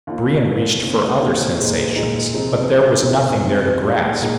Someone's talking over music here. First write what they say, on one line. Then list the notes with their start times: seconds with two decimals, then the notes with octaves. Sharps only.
Brion reached for other sensations, but there was nothing there to grasp.
0.07 D#2 D#3 A#3 F4
0.45 D#2 D#3 A#3 F4
0.82 D#2 D#3 C4
1.21 D#2 D#3 C4
1.58 A#2 G#3 D#4
1.96 A#2 G#3 D#4
2.33 C3 F3 G#3 C4 D#4
2.71 C3 F3 G#3 C4 D#4
3.09 F2 D#3 C4 F4
3.46 F2 D#3 C4 F4
3.84 A#2 G#3 D#4
4.22 A#2 G#3 D#4